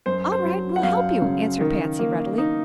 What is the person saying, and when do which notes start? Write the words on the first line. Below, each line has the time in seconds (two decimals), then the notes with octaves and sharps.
"All right; we'll help you," answered Patsy, readily.
0.06 F#2 C5
0.32 C5
0.44 F#3
0.76 F#5
0.83 F#2 F5
1.22 C#3
1.61 D#3
1.99 A#3
2.38 D#4